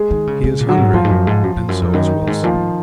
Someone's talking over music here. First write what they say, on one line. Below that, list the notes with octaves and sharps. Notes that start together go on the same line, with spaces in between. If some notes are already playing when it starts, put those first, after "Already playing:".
He is hungry and so is Wilson.
Already playing: G#3 G#4
D#3
C#3
C#3
A#2
F#3 F#4
G#2
F#2 F3 F4
G#2
F#2
G#2
F#2
F2
F#2
F2
F#2 D#3 D#4
F#2
G#2
A#2 F3 F4
G#2